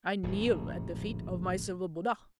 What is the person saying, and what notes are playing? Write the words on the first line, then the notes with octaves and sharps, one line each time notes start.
I kneel at the feet of my silver Buddha.
D1 A#1 F#2 A3